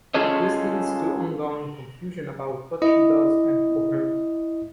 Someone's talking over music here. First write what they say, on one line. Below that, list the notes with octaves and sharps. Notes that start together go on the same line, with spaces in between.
This leads to ongoing confusion about what she does and for whom.
C#4 F4 G#4 A4 C#5 D#5
E4 D#5